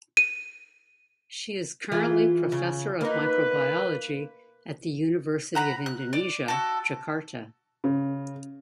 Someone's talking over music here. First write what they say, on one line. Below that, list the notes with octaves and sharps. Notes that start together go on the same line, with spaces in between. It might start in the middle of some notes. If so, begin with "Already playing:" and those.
She is currently professor of microbiology at the University of Indonesia, Jakarta.
D#7
E3 F4 G#4
C#3
A#3 D#4 B4
F#5 A#5 B5
F#6
D5
F#4 A4
C#3